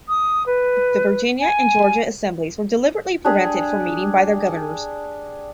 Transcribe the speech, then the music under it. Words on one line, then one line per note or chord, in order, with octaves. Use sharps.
The Virginia and Georgia assemblies were deliberately prevented from meeting by their governors.
D#6
B4
G#5
D4 G4 G#4